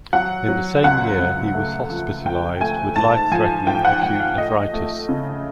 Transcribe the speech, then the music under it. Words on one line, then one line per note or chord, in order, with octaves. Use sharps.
In the same year he was hospitalized with life-threatening acute nephritis.
F#3 F#5
F#3
C#2 F#5
C#2
A3
F3
F3 G5
A3 G#5
G#2 A5
F3 G#5
G#2 G5
F#5
F3 G5
F5
A3 D#5
A3
C#3